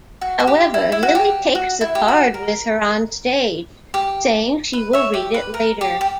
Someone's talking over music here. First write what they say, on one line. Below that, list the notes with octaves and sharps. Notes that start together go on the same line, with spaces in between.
However, Lilli takes the card with her onstage, saying she will read it later.
F#4
F#4
G4
E4
E4
F#4
G4
F#4
E4
G4
F#4
A#4
G4
B4
C#5 E5
G4
B4
A#4
G4
G4